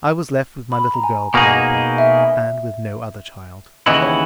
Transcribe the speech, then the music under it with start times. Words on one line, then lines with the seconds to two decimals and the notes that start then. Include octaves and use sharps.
I was left with my little girl Penelope, and with no other child.
0.72 B5
0.94 A#5
1.03 G#5
1.34 B2 A#3 D#4 G#4 F#5
1.98 E5
3.86 D#2 C#3 E3 B3 E4 D#5
4.02 C#5